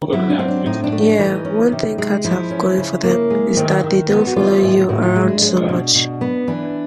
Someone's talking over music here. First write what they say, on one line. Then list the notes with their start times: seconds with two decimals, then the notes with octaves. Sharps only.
Yeah, one thing cats have going for them is that they don't follow you around so much.
0.13 F#3 E4
0.30 C#4
0.39 C4
0.48 D4
0.66 A2 D#4
0.84 D4
0.92 A3
1.01 D4
1.19 E3 D#4
1.45 C#4
1.72 C3
1.98 G#3
2.25 F3 E4
2.50 C#4
2.77 C#3
3.03 A#3
3.30 G#3
3.57 D#3
3.83 D#3
4.09 B3
4.27 F#4
4.36 E3 F4
4.62 A2
4.89 A2 F#4
5.02 F4
5.16 G#3
5.28 D4
5.42 G#3
5.69 B2
5.95 B2
6.21 B3
6.48 E3 D4